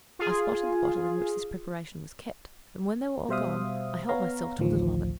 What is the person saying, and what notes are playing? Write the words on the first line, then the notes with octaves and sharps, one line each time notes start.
I spotted the bottle in which this preparation was kept, and when they were all gone, I helped myself to a little of it.
F4 G#4
B2 G3 C5 E5 F5 D#6
B3 C#5 F5 A#5
A1 D2 D#3 F3